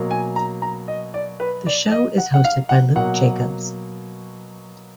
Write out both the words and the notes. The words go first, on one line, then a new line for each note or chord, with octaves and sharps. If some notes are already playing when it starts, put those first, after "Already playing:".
The show is hosted by Luke Jacobz.
Already playing: B2 F#3 A#3
G#5
A#5
A#5
D#5
D5
B4
D5
D#5
F#5
F#5
F5
F#5
B2 F#3 A#3 F#5